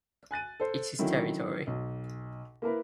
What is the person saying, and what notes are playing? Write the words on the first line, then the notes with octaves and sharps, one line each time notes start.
It's his territory.
G#5 F#6 A6 D#7
A4 C5
D3 D#3 F#3 C#4 E4
B1
A#3 E4 A#4 B4